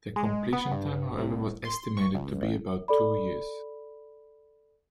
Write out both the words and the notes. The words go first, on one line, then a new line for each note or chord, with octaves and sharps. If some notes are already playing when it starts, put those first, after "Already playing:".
The completion time however was estimated to be about two years.
G#3
B3
G2
C2
C6
C#6
C#2
A1
A4 D5 B5